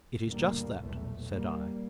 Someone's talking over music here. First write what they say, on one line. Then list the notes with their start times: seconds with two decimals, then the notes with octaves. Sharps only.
"It is just that," said I.
0.24 G1 D2 A#2 C#3 G3 A#3
0.81 B1 E2 A#2 A3
1.29 G3 A#3